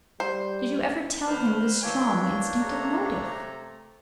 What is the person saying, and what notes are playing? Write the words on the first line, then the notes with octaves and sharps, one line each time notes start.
Did you ever tell him the strong, instinctive motive?'
G3 C5
D2 D3 B4 C5 F6
G2 E3 A#3 D4 C#5 G5
C3 A3 A#5